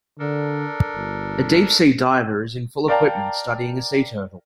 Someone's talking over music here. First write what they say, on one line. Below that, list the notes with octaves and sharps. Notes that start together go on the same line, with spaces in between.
A deepsea diver is in full equipment studying a sea turtle.
D3 D4 A4 A#4
G1
A#4 D5 F5 G5 A5 A#5